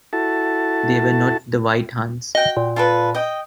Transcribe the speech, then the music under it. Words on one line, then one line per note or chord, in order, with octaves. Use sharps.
They were not the White Huns.
E4 F#4 A4 A5
F#4 D#5 G5
A#2
F4 A4 B4
D#5 G5